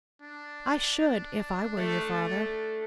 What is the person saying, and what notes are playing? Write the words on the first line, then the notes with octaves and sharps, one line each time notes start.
"I should, if I were your father."
D4
A3